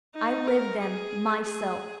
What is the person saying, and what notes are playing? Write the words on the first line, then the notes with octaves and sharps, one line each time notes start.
I lived them myself.
D#4
A#4
G#4
G#4